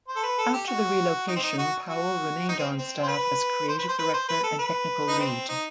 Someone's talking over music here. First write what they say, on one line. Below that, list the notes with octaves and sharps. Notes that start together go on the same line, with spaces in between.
After the relocation, Powell remained on staff as creative director and technical lead.
C5
A4
B4
A4
G4
F#4
D#4
C4
D#4
F#4
F#4
D#4
C4
C4
C5
B4
C5
B4
C5
B4
C5
B4
A4
B4
D#4
C4
D#4